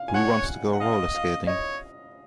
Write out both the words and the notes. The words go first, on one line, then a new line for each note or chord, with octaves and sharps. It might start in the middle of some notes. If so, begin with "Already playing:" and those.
Who wants to go roller skating?
Already playing: F5
G#5
C#5 F#5
F#5
D#5 F5
F5
C#5 D#5